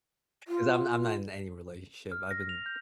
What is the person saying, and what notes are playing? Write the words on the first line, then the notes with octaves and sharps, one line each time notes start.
'cause I'm I'm not in any relationship. I've been
F4
F6
A#6
F7
G6